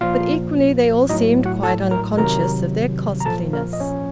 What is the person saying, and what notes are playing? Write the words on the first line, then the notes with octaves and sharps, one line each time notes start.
But equally, they all seemed quite unconscious of their costliness.
A#2 F3 F4 F5
A2 F#3 D#4 D#5
F#4 F#5
A4 A5
A#4 A#5
C3 D#3 F#3 A#4 A#5
A#5
A#2 F3 A4 A5
A#3 A#4
D#5
C#4 C#5